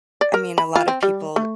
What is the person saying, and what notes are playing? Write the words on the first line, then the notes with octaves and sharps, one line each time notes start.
I mean, a lot of people
D5
A#4
B5
F4
C4
G3
A3